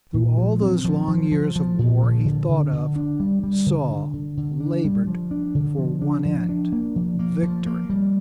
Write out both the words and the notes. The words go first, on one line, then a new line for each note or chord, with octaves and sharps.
Through all those long years of war he thought of, saw, labored for one end--VICTORY.
A#2
F3
C4
F3
F3
F3
F3
A#2
F3
D3
D3
D3
D4
G3
G3
D3
D3
D3
D3
D4
G3
F3
D4
D3
F3
D4
F3
D4
A#3
F3
A#3
F3
A#3
G3